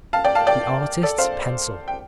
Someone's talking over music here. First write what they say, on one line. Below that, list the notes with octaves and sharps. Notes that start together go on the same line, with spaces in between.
The artist's pencil!
F5 A5
D5 G5
F5 A5
D5 G5
A4 D5
C5 F5
G5